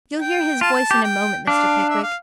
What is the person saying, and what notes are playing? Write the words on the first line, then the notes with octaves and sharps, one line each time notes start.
You'll hear his voice in a moment, Mr. Pickwick.
G5
F4 A5
G4
G5
D4 F5
E5
F5